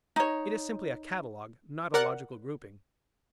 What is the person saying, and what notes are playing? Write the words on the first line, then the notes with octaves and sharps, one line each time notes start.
It is simply a catalogue, not a logical grouping.
D#4 C#5
A#4 D5 F#5